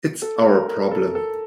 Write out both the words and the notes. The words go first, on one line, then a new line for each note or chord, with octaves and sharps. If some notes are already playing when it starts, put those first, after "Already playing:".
It's our problem.
A4
A#4
A#4
A4
A4